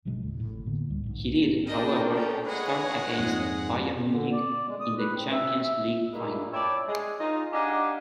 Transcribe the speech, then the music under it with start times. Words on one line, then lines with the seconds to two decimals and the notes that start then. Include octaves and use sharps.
He did, however, start against Bayern Munich in the Champions League final.
0.05 G1 B2 F#3 G#3
0.22 D#2 A2 C#3 F#3
0.40 G#1 A2
0.66 A2 D3 A#3 B3
0.89 C#2 G3
1.04 B1 G#2
1.67 A#3 D4 A#4 D#5 G5
2.14 A3 C#4
2.46 G#3 G#4 B4 C#5 F#5
3.18 F2 G#2
4.09 D3
4.32 D5
4.67 G#3
4.80 D#6
4.99 B4
5.15 C4
5.31 E5
5.62 E5
6.12 G2 A#2 G#3 D#4 E4
6.53 C#5 D5 E5 G5 A5 B5
6.88 G#3 G#5
7.19 D#4 F4
7.53 D4 D#4 G4 F5 F#5 G#5